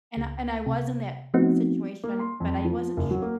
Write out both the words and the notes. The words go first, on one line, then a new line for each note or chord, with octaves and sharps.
And and I was in that situation, but I wasn't su
C#2
C3
F3 A3 B3 C4 D#4 F#4
A#3
C6
F2
F3
F#1
F#3
A#3